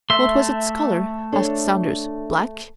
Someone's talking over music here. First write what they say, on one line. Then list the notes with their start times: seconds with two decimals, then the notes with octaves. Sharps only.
"What was its color?" asked Saunders; "black?"
0.10 A3 E5 C6
1.32 D4 A4 C#5